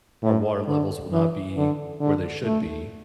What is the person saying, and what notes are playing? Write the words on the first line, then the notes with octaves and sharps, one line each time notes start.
our water levels will not be where they should be,
A2
D3
E3
D3
D3
A3